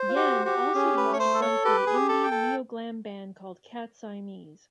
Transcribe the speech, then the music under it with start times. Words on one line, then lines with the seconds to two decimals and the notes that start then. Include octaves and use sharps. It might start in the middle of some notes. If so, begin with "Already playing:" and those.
Yan also used to front for the indie neo-glam band called Cat Siamese.
Already playing: C5
0.09 F4
0.16 F#4 G4
0.45 F#4 G4
0.75 C#4 G#4
0.97 B4
1.04 A3
1.13 C#5
1.19 C5
1.34 A4
1.42 C#5
1.65 G4 B4
1.87 G#4
1.94 G4
2.09 A4
2.24 G5
2.31 A4